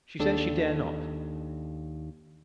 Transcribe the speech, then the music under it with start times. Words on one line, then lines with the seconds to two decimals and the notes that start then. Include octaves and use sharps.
She says she dared not.
0.20 D#2 D4 A4